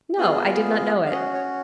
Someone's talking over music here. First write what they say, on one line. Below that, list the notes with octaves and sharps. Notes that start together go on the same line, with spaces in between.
"No, I did not know it."
B3 F4 G#4 D#5
F5
C#4 F#4 D#5
C#5